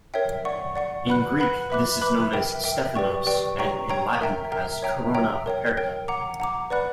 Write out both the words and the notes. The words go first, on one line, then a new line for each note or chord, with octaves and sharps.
In Greek this is known as "stephanos" and in Latin as "corona aperta".
A#4 C#5 E5 G5
D5 F#5 C#6
D5 F#5 C#6
B4 F#5 B5 F#6
B4 F#5 B5 F#6
B4 E5 B5 D6 F#6
B4 E5 B5 D6 F#6
A#4 E5 G5
A#4 E5 G5
G4 B4 D5 G5 C#6
G4 B4 D5 G5 C#6
C#5 G5 A#5 C#6
C#5 G5 A#5 C#6
A#4 E5 G5 A#5
A#4 E5 G5 A#5
C#5 E5 G5 A#5
C#5 E5 G5 A#5
A#4 C#5 G5
A#4 C#5 G5
F#5 A#5 D6
F#5 A#5 D6
B4 D5 F#5 B5 F#6